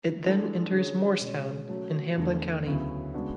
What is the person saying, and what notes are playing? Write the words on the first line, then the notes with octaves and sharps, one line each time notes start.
It then enters Morristown in Hamblen County.
E3 G#3 D4 A4
D3 F#3 C#4 G#4 C#5
B2 G#3 C#4 G#4
F#3 A3 C#4 F#4
E2 D3 A3
D2 C#3 F#3 B3 E4
C#3 G#3 B3 D4 F#4